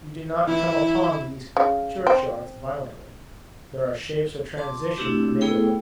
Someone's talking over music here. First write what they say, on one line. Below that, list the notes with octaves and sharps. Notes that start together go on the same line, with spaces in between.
You do not come upon these churchyards violently; there are shapes of transition in the neighbourhood.
E3 E4
C#3
C4
A5 C6 D6
A3 C4 D4 E4 F#4 G4
A3 B3 E4 G#4 A4 G5